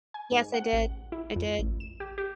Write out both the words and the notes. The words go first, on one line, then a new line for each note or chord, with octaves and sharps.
Yes, I did. I did.
G#5
G#2
F#5
A1
E4
F2
A1
E7
G4
G4